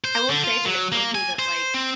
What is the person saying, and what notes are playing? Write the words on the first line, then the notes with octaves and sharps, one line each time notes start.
I won't say that it's something that, like,
C5
D3
F4
F#3
A#3
G#5
C5
C4